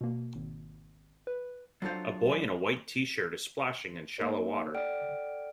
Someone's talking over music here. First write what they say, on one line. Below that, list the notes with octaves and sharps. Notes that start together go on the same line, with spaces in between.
A boy in a white tshirt is splashing in shallow water.
B2 A#3
G#1
B4
F#3 D4 F4 A4 C5 F5
A#3 D#4 A#4 C#5
A4 D5 F#5 G5 F6 D7